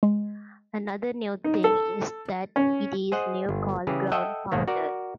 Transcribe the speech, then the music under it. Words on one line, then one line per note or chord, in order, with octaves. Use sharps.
Another new thing is that it is now called Ground Pounder.
G#3
D#4
A4
C#4
G#4 C5 D#5 F#5
G1
C#3 E3 G4 G#4
A4 D#5 E5 F#5 G5
B1 G#2 D#3 A#3 B3
F#4 A#4 D5